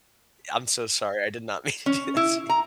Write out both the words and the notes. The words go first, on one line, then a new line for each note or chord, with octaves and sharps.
I'm so sorry. I did not mean to do that to you.
C#4
E4
A#5